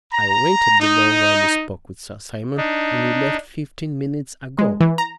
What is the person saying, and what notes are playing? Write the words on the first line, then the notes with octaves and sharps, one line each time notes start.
I waited below while you spoke with Sir Simon, and you left fifteen minutes ago.
A#5
D#4
D4 D#4
G#3
E3
A#5